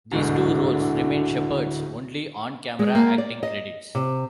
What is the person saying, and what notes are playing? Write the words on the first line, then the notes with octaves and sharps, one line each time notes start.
These two roles remain Sheppard's only on-camera acting credits.
D1 G#2 B2 D3 E4 F#4
G#3
A#3
D5
D#5
C3